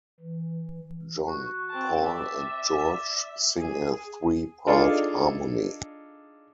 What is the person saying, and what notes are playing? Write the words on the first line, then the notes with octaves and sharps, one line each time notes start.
John, Paul, and George sing a three-part harmony.
E3
F#4
C4 A5
D5 E5
G#4
D4 D#4 F4 G#4 A4